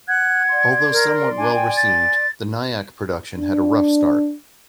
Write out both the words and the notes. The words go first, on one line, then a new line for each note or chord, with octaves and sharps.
Although somewhat well received, the Nyack production had a rough start.
F#5 F#6 G#6
D5 C6
A#4
D4 G#5
G5
A6
D4